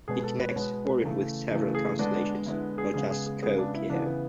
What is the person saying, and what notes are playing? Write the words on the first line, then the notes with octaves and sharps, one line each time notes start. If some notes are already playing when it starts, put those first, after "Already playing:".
He connects Orion with several constellations, not just Scorpio.
B2 G#3 B3 G#4
A4
B4
C#5
B2 G#3 B3 B4
C#3 E3 A3
C#3 E3 A3
G#4
D3 G#3 B3 D4
D3 G#3 B3 E4
G#4
C#3 G#3 B3 G#4
G#4
G#4
C#3 G#3 B3 G#4
D4
E4
C#3 E3 B3 D4